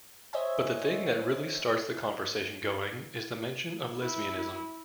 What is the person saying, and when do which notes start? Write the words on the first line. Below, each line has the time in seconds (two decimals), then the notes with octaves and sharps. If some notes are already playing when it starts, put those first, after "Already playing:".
But the thing that really starts the conversation going is the mention of lesbianism.
0.33 C5 C#5 D#5 E5 G#5
4.01 E4